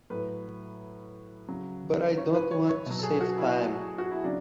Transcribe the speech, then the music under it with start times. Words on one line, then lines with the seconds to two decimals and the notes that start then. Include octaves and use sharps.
But I don't want to save time.
0.10 A2 F#3 B4
1.48 C#3 F#3
2.17 C#5
2.34 B4
2.51 C#5
2.69 C#5
2.86 B2 F#3
2.99 A4
3.03 G#4
3.21 F#4
3.38 E4
3.98 F#4
4.11 E4
4.24 C#3 F#3 D4